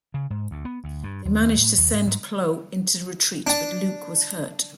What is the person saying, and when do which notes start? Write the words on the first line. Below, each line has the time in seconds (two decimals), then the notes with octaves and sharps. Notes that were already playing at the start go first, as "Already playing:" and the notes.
They managed to send Plo into retreat, but Luke was hurt.
0.14 C#3
0.30 G#2
0.51 D2
0.65 B3
0.84 D2
1.04 G2
1.25 D#2
1.43 D#2
1.57 A2
1.78 D#2
1.93 G#2
2.07 G#2
3.47 D4 A5